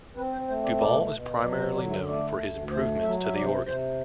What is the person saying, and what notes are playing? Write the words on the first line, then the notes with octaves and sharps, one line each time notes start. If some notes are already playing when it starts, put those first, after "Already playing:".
Duval is primarily known for his improvements to the organ.
C4 B4
C5
A3 C5
D5
B2 D5
B2
F#3 D5
C5
D3 D5
E5
A3 D5
D2
A3 C5
F#3 E5
E5
C3 D5
C3 C5